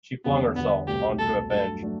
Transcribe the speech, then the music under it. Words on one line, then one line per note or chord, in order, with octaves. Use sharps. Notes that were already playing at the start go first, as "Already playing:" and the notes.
She flung herself on to a bench.
E2 D3 G3 B3
E2 D3 G3 B3
C2 B2 A3 G4
C2 B2 A3 A4
G2 F#3 A3 D4 A4
F#3 A3 D4